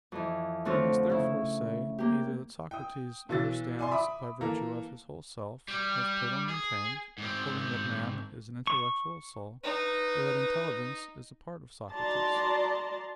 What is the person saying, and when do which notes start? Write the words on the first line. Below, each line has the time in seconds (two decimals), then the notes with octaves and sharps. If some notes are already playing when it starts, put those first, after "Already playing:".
We must therefore say either that Socrates understands by virtue of his whole self, as Plato maintained, holding that man is an intellectual soul; or that intelligence is a part of Socrates.
0.12 F2 E3
0.65 D3 A3 C4 F4 C#5
1.10 C#3 E4
1.99 A#3 G4
2.71 G5 D#6
3.29 B1 E3 F#4 E6 A6
3.79 D5 G#5 C6
3.91 E5 B5 D6 D#6
4.41 E3 A#3 A4 A#5
5.68 G3
6.49 G#4
7.18 G#2 C4
8.67 C#6
9.64 D#4 B4
11.91 D#4 F#4 D5 A5 A#5 C6